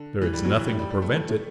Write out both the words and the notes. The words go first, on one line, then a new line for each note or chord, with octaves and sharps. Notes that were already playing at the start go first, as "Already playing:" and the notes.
"There is nothing to prevent it."
Already playing: D3
A2 E3
G3
B2 F#3
E3
A2 G3
G3
G3
A3
A2
A2